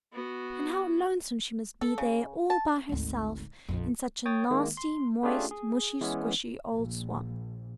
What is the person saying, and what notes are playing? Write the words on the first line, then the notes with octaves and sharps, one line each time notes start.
And how lonesome she must be there all by herself in such a nasty, moist, mushy-squshy old swamp!
B3 F#4
A4
C#3
A5
G#1 D2
A#1 F2
C#5 G5 D#6 A6
D#3 G#3 A#3
C6
A3 C#4 D4 F4 G4 G#4
G#4
E3 G#3 B3 C#4
A#1